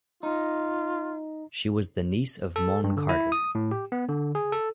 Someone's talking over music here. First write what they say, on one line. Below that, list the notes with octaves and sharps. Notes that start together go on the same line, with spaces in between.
She was the niece of Maughan Carter.
D#4 F4
A4
G2
D3
E4
D#6
A2
G4
B3
D3
G#4
A4